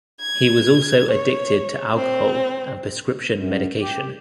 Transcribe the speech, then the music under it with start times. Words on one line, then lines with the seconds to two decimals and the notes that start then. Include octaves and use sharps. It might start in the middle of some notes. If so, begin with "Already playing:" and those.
He was also addicted to alcohol and prescription medication.
0.19 G#6
1.10 C#5
1.95 C4
3.35 F#2
3.80 G4